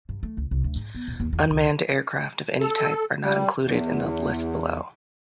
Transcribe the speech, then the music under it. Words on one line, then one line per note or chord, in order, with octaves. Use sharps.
Unmanned aircraft of any type are not included in the list below.
G2
A3
C#2
C2
D2
G#2
B3
D#1
D#2
E2
C#2
A4
G3
E2